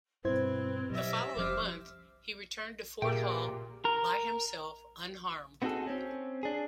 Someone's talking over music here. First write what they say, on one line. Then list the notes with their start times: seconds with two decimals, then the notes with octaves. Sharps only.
The following month he returned to Fort Hall by himself unharmed.
0.25 G2 B2 C4 E4 B4 C5 G#6
0.90 B2 F#3 G3 D#5 E5
1.37 F1 F3 C#4 C5 D6 F6
3.02 A#2 G4 G#4 A#4 E5 G5
3.85 A#4
5.62 B3 C4 D#4 F#4 G#4 A4
5.87 C4 C#4
6.43 D4 G#4